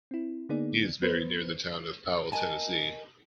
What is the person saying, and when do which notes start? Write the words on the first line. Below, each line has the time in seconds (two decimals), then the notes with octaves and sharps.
He is buried near the town of Powell, Tennessee.
0.11 C4 E4
0.49 D3 A#3 B3 D#4 G#4 D5
1.02 B3 B4 C5
2.32 A#4 D#5 G#5 A5